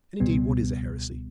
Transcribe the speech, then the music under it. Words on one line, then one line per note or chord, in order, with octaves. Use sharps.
And, indeed what is a heresy?
C#2 B2 G3 B3